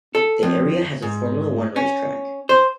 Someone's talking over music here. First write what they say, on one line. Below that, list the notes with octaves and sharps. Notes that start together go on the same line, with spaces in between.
The area has a Formula One racetrack.
A4
F2
G#2
C#4
C5